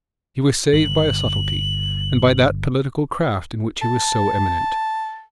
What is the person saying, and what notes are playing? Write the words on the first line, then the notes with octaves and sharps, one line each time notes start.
He was saved by a subtlety, and by that political craft in which he was so eminent.
G1 F#7
A5